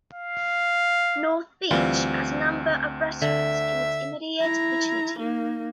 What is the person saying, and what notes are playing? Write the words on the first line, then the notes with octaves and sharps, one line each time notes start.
North Beach has a number of restaurants in its immediate vicinity.
F5
D2 E3 G3 C4 F4
D3 E5
E4 A#5
A#3 D#4